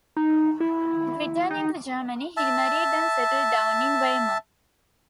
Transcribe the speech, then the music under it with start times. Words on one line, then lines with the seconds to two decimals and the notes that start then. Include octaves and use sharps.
Returning to Germany, he married and settled down in Weimar.
0.17 D#4
0.60 E4
1.51 D#4
2.37 E5 A5